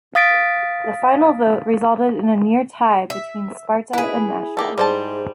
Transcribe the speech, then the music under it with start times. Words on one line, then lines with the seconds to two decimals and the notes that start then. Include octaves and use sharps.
The final vote resulted in a near tie between Sparta and Nashville.
0.15 F5 D#6 A6 B6 D7
3.10 E5
3.93 E4 G#4 B4
4.57 A#3 G4 A4
4.78 G#2 G3 C5 A5